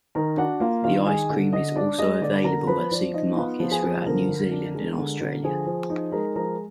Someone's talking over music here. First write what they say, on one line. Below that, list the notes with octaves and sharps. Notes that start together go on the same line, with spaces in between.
The Ice cream is also available at supermarkets throughout New Zealand and Australia.
D#3 A#4 A#5
D4 F#4 F#5
A#3 F4 F5
D#3 F4 F5
D#3 G#4 G#5
D3
D3 D#5
D4 D5
G#3 D#5
D3 D5
D3 A#4 A#5
F3 B4 B5
F3 D5
D#4 D#5
B3 F4 F5
F3
G#4 G#5
F3
D3 A#4 A#5
D3
D4
G#3
D3
D3
F3 G#4 G#5
F3
D#4
G#3 A#4 A#5
F3 A#4 A#5